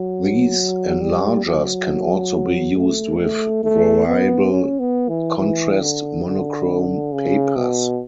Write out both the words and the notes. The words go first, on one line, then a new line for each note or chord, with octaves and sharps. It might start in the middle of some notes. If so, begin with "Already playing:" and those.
These enlargers can also be used with variable-contrast monochrome papers.
Already playing: F#3
G3
F#3
A3
A3
A3
B3
C#4
B3
E3
E3
D3
D3
C#3
B2